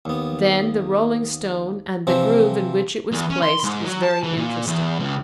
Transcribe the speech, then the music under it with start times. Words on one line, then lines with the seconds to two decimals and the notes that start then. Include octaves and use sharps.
Then the "rolling stone" and the groove in which it was placed is very interesting.
0.05 D#2 B3
2.07 C3 E3 F3 C4
3.12 E2
3.30 C#4
3.43 C6
3.64 G#2
3.85 F#3
4.03 A5
4.23 E3
4.36 A#2
4.67 E2
4.99 C#2